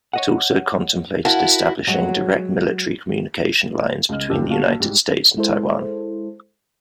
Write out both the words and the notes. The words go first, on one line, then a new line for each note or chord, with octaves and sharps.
It also contemplated establishing direct military communication lines between the United States and Taiwan.
C#5 D#5 F#5
E4 F#4 A#4 F5 A5
F#3 G#3 F#4
C#2 D#5 F6
G1 D#2 F3 G4 E6
A#2 F#4 F5 A5
G#2 G3
G#3 E4 A4 C5